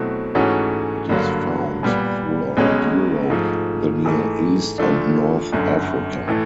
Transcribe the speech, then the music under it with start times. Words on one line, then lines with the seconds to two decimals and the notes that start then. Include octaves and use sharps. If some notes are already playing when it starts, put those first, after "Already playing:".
It is found throughout Europe, the Near East, and North Africa.
Already playing: B2 F#3 A3 C4 E4
0.35 G#2 E3 A3 C#4 F#4
1.09 G2 D3 F#3 A#3
1.83 A#2 G3 B3
2.57 B1 B2 G#3 C#4
3.30 G#2 F3 A3
4.04 G#2 E3 A3
4.78 D2 D3 F3 A3 D4
5.53 G1 F#2 D3
6.28 A2 E3 A3